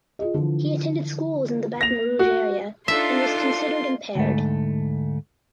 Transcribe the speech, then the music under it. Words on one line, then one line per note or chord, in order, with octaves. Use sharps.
He attended schools in the Baton Rouge area and was considered impaired.
F4 G#4 D#5
D3 E3 F3
A#3 A#6 F7
F#4
D4 D#4 F4 A4 E5 C6
D2 G#2 A3